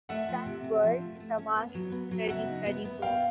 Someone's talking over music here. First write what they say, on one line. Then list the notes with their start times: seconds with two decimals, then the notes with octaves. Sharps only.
That world is a vastly cruddy, bloody bore!
0.09 A3 E5 F#5
0.29 F3
0.46 C3
0.64 C3
0.83 F3
1.01 A3
1.20 A3
1.38 C#4
1.56 B3
1.75 F#3
1.92 B3
2.11 F#3
2.29 C#3 E5 F#5
2.47 D#4
2.66 B3
2.85 B3
3.02 B2 F5 G5